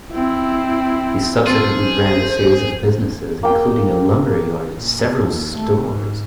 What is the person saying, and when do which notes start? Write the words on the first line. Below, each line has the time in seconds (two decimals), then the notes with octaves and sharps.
He subsequently ran a series of businesses, including a lumberyard and several stores.
0.12 C4 E4
1.46 C4 F4 G#4 A4 C5
3.43 A#3 G5
4.76 A#2
5.21 D#2
5.53 A3
5.82 G#2